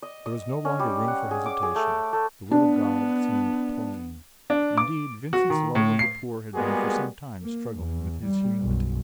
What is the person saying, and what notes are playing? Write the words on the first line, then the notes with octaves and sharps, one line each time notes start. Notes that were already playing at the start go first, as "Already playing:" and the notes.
There was no longer room for hesitation; the will of God seemed plain; indeed, Vincent's love of the poor had been for some time struggling with his humility.
D#5
D#5
C#4
G3
F#5
G#4
D6
G#4
A3
A3
B3 D4
D4
D6
F#4
D#3
A2
C7
G3 G#3 A#3 B3 F#4 G#4
A#3
E2
G3
B1 F#2